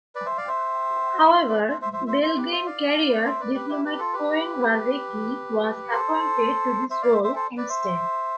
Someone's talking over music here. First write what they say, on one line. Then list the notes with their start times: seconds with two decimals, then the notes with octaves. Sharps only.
However Belgian career diplomat Koen Vervaeke was appointed to this role instead.
0.15 B4 D5
0.26 C5 E5
0.37 D5 F5
0.48 C5 E5
1.48 B4 D5
1.70 C5 E5
1.82 C5 E5
1.93 C5 E5
2.07 C5 E5
2.22 C5 E5
2.37 G4 B4
2.51 C5 E5
2.66 D5 F5
3.25 C5 E5
3.40 B4 D5
3.55 G4 B4
3.69 E4 G4
3.85 G4 B4
3.99 F4 A4
4.14 G4 B4
5.91 A4 C5
6.90 C5 E5
7.02 D5 F5
7.13 C5 E5
7.24 C5 E5
7.35 A4 C5
7.57 B4 D5
7.69 C5 E5